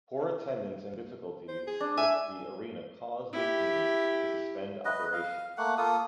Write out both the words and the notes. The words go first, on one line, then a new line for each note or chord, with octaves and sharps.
Poor attendance and difficulties with the arena caused the team to suspend operations.
C5
G#4
D4
E5 G#5
E4 G4
B4 D#5
F5
A3 A#3 F#5
A#3 F4 A4 D#6